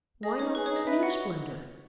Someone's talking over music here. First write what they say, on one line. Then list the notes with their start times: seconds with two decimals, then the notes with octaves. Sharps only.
Why not this new splendor?
0.23 G#4 D#5
0.39 D#4 C#5
0.55 G#4 B4
0.66 D#4 C#5
0.76 D#5
0.86 B4 E5
1.02 F#4 F#5